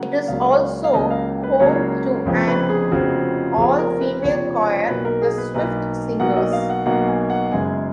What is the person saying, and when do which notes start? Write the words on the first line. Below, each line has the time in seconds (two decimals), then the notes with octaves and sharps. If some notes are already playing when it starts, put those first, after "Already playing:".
It is also home to an all-female choir, The Swift Singers.
Already playing: C#3 F#3 A#3 F#5
0.28 C#2 C#3 F#3 A#3 F5
0.84 F5
0.94 C#2 C#3 F#3 A#3 D#5
1.10 F5
1.43 B4
1.60 C#2 C#3 F#3 A#3 C#5
2.26 F1 F2 C#3 F3 B3
2.48 B4
2.69 G#4
2.91 F1 F2 C#3 F3 B3 F#4
3.57 F1 F2 C#3 F3 B3 G#4
3.79 A#4
4.01 B4
4.22 F1 F2 C#3 F3 B3 C#5
4.56 C#5
4.89 B1 B2 A#3 B4
5.05 A#4
5.22 G#4
5.38 B4
5.54 B1 B2 A#3 B4
6.20 B1 B2 A#3 F#5
6.36 D#5
6.53 F5
6.70 F#5
6.86 B1 B2 A#3 F#5
7.07 G#5
7.30 F#5
7.51 F#1 F#2 C#3 G#3 B3 G#5